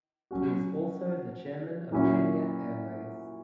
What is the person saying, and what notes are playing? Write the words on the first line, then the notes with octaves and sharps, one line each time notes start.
He is also the Chairman of Kenya Airways.
F#3 C#4 F#4
A#2 F#3 C#4 E4